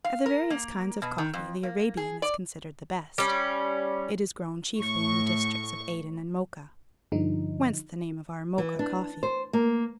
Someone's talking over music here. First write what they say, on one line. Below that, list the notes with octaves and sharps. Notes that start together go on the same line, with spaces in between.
Of the various kinds of coffee the Arabian is considered the best. It is grown chiefly in the districts of Aden and Mocha; whence the name of our Mocha coffee.
F5
A#4
A#3
B2
D#3
F2
A#3
G#4
D5
G3 C#4
A2 C#6
G2 D3 F3 D#4
E3
D4
C5
A#3